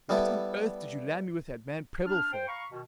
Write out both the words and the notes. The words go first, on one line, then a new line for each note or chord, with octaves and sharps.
'What on earth did you land me with that man Prebble for?'
G3 B3 E4 A4
D4 F6
C5 G5
F5 A#5 B5 C#6
B2 D#3